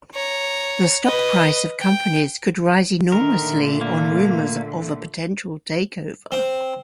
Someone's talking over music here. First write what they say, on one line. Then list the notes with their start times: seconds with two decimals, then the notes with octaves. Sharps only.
The stock price of companies could rise enormously on rumors of a potential takeover.
0.14 C#5 A#5
1.05 B4 D#5
1.80 G5
3.12 A#2 D3 D#3 A3 A#4
3.81 A#3
6.32 C4